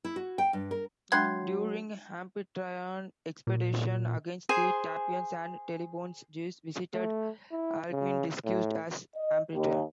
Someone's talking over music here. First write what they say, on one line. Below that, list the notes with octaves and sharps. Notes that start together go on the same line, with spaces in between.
During Amphitryon's expedition against the Taphians and Teleboans, Zeus visited Alcmene disguised as Amphitryon.
E4
F#4
G5
G2
A#4
F#3 G#3 D4 F#5 G5 B5 C6 G#6
A#2
G#4 C5 G#5 C6
A3
E4
C#3
A2
D#5
D#2